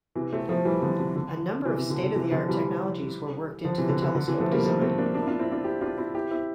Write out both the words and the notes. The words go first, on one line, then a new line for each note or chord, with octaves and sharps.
A number of state-of-the-art technologies were worked into the telescope design.
C3 E3
A3 C4
F3 A3
E3 G3
D3 F3
C3
D3
C3 E3
C3
D3
D3
C3 E3
D3 F3
E3 G3
D3 F3
C3 E3
D3
D3
D3
C3 E3
F3 A3
G3 A#3
F3 A3
A3 C4
A#3 D4
A#3 D4
E4
D4 F4
C4 E4
D4 F4
E4 G4
D4 F4
C4 E4
E4 G4
C4 E4